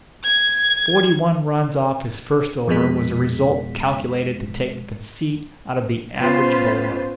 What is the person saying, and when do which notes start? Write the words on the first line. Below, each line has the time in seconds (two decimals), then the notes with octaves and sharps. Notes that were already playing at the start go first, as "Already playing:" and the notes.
Forty-one runs off his first over was a result calculated to take the conceit out of the average bowler.
0.23 G#6
2.68 F2 B2 G#3 B6
6.19 B3 C#4 F4 B4 C5